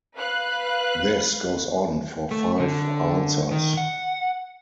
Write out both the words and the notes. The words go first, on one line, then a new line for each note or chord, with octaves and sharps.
This goes on for five answers.
B4 F5 F#6
A3
D3
D#3
F#5